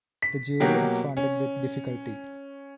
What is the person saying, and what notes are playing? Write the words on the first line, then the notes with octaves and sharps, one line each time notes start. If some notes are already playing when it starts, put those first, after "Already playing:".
The jury responded with difficulty.
B6
B2 F#3 A#3 F#4 G4
C#4